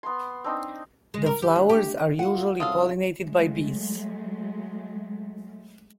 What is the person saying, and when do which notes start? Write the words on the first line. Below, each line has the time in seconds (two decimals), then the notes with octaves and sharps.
The flowers are usually pollinated by bees.
0.03 B3 A#5 C6
0.44 C4 D4 D#4
1.14 G#3
1.26 A#4
1.42 G4
1.56 D2
1.69 G4
2.19 A3 F4 F#5
2.60 C2 F#2 F4 A4 F5 D#6
3.20 F#3 G#3 A3